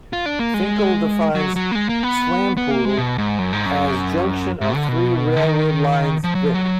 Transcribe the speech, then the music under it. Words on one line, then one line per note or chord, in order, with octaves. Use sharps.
Finkel defines Swampoodle as Junction of three railroad lines, vic.
F4
D4
A#3
G#3
F#3
F#3
A#3
G#3
A#3
B3
B3
A#3
G#3
B2
G#2
F#2
G#2
F#2
G#2
D3
B2
D3
D#3
F3
F#3
F3
F#3